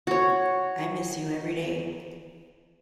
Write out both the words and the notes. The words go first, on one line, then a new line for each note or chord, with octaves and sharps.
I miss you every day.
F#4 C#5